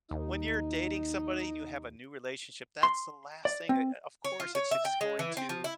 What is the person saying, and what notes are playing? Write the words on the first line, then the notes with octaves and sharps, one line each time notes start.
when you're dating somebody and you have a new relationship, that's the last thing o of course, it's just going to
D#2 D#4
C6
D5
C4
C#5
F4
C#5
E5
G5
G#3
E3
C4
F3
E4